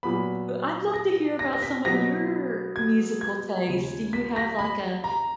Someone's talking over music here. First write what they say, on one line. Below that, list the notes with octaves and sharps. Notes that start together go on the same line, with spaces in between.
I'd love to hear about some of your musical taste. Do you have, like, a
A#2 F#3 B3 B5
A#6
A#6
A#6
B6
B2 F#3 B3 A#6
G#6
G#6
D#2 C#3 F3
B6
A#6
B5
A#5